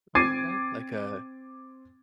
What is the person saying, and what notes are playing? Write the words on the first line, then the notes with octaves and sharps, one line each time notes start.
Okay, like a
C4 D6 G#6 A6 C7 D#7